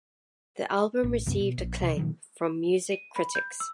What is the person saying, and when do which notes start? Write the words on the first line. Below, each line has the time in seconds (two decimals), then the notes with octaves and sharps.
The album received acclaim from music critics.
1.04 A1
1.26 C2 F#2 C3 B3
1.40 B2
1.58 A#1
1.80 C2 C3
1.97 A#2 D#3 F#3
2.92 D#7
3.16 B5
3.35 G6
3.60 E6